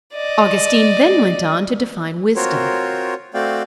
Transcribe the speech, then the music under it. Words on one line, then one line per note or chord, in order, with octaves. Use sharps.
Augustine then went on to define wisdom.
D5 D#5
C4 F4 F#4 A#4 C5 C#5
A3 C4 F#4 D5 F5 G5